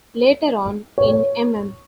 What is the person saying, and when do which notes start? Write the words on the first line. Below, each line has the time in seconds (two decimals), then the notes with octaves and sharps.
Later on, in mm.
0.98 C#5